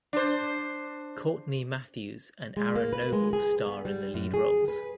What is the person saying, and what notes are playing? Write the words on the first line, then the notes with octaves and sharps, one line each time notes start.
Courtney Mathews and Aaron Noble star in the lead roles.
D4 C5
G#3
A#3
B4
G#3
G#4
B3
G3
F#2
G#4
B4